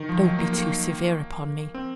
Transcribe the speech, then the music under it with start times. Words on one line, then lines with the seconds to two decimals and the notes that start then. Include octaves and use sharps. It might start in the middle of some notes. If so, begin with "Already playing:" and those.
Don't be too severe upon me.
Already playing: D#3
0.09 F3
0.24 F#3
0.39 A#3
0.53 A#3
1.74 C4